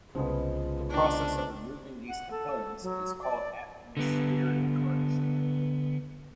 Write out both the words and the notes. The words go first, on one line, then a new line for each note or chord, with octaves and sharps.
The process of removing these components is called atmospheric correction.
C2 C#3 F3 G#3 B3
D4
F#5
A4
F#3
D5
D3 B3